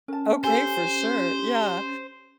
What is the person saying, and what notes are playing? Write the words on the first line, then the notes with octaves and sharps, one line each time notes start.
Okay, for sure, yeah.
C#4 A#4 A5
G4 A4 C5 G#5